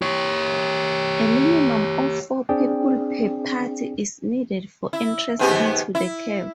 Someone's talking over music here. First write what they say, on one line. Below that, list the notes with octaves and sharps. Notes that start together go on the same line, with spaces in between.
A minimum of four people per party is needed for entrance into the cave.
G4 C#5
C4 D4 G#4 D5 G5
E4
G#2 B3 G4
E4